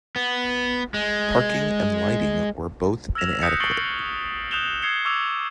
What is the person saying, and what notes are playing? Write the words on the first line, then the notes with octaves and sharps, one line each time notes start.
Parking and lighting were both inadequate.
B3
G#3
E6 F6 G#6 A#6 E7 F7
D#6 F#6 G6 A#6 B6 C#7
C#6 A6 C7 D7 F#7 G7
D#6 F#6 G6 E7 F7 G7
D#6 E6 G#6 C7 C#7 G7
C#6 D6 E6 G#6 F7